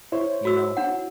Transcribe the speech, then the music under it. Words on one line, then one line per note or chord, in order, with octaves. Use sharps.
You know?
E4 C5 C#5
F#4 E6
D4 F#5